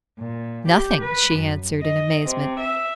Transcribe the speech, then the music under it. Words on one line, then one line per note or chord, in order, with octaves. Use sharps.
"Nothing!" she answered, in amazement.
A#2
G4
B4
F#2
D#5
C3
E5